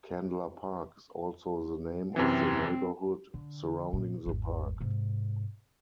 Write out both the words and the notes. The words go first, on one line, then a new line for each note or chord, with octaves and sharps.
Candler Park is also the name of the neighborhood surrounding the park.
F#2 C3 E3 C4
D3
A#2
G#1 E2
G#2 C3